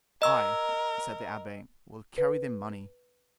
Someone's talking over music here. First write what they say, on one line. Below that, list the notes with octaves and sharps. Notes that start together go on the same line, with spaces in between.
"I," said the abbe, "will carry the money."
A#4 D#5 E6
B4